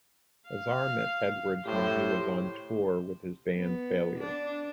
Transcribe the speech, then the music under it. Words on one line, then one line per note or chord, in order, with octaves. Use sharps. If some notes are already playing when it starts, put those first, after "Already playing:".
Azar met Edwards when he was on tour with his band, Failure.
F5
A2 G4 C5
B3
D4